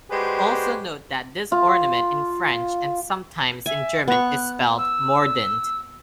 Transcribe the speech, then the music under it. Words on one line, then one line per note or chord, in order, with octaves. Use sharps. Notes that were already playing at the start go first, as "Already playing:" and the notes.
Also note that this ornament in French, and sometimes in German, is spelled "mordant".
G#3 F#4 G4 B4 C5 D5
F4
E5 G#5
B3 C#6 F#6
E6